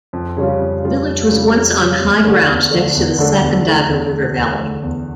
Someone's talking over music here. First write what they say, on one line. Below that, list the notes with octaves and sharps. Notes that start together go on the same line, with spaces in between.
The village was once on high ground next to the Sacandaga River valley.
F2
C#3 G3 C#4 F4
F2
C#3 G3 C#4 F4
F2
C#3 G3 C#4 F4
F2
C#3 G3 C#4 F4
E2
D3 A3 D4 A4
E2
D3 A3 D4 A4
E2
D3 A3 D4 A4
E2
D3 A3 D4 A4
E2
D3 A3
E2
D3 A3
E2